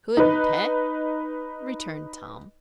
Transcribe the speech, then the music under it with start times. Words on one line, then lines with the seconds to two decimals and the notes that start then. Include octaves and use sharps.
"Couldn't, heh?" returned Tom.
0.17 D#4 B4